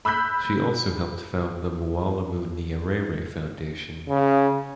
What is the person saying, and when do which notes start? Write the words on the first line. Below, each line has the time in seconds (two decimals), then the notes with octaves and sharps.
She also helped found the Mwalimu Nyerere Foundation.
0.05 B5 E6 F#6 G6 B6
4.08 C#3